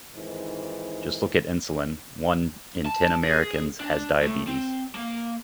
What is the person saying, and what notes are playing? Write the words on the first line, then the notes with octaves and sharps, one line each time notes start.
Just look at insulin. One in ten Americans has diabetes.
F2 G#2 D#3 E3
A5
G#4
D4
A2
C4
A#3